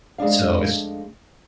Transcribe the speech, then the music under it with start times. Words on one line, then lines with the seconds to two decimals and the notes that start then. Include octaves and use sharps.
so it's
0.18 F2 G#3 A3 D4 F5